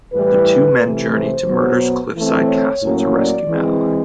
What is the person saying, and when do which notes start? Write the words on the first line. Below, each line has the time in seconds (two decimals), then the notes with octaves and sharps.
The two men journey to Murder's cliffside castle to rescue Madeleine.
0.13 A2 E3 G3 B4
0.81 C3 E3 A3
1.14 C5
1.48 B2 F#3 B3
2.15 E3 A3 C4
2.49 C#5
2.82 A2 F#3 A#3 C#4
3.16 D5
3.49 E3 G#3 C4